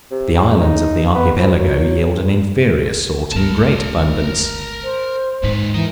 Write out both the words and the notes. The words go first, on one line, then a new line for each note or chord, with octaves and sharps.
The islands of the Archipelago yield an inferior sort in great abundance.
C3
C#3
D#4
B3
F3
F#3
G1 C#2 A#4 A5
C5
D#2 G#2 D#3 B4
E3 A#4 D#5